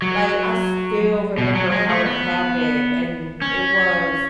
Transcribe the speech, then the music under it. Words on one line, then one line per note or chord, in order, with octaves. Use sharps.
like, I still remember how it happened, and it was
F#3
B2
F#3
G#3
A3
B3
C#4